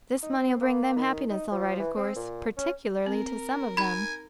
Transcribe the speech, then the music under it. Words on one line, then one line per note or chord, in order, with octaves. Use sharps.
This money'll bring them happiness all right, of course,--particularly to some of them.
D#4
C4
A#3
D#3
D#4
F3
E3
C4
A#2
C#4
C4 A#4
D#4 G#5 B5 G#6